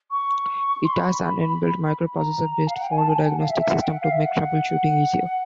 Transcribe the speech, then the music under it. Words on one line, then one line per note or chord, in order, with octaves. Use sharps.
It has an inbuilt microprocessor based fault diagnostic system to make trouble shooting easier.
C#6
C6
B5
A#5
F5
F#5
G5
G#5
A5
G#5
G5
F#5
F5
E5
E5
F#5
G5
F#5
F5
E5
F#5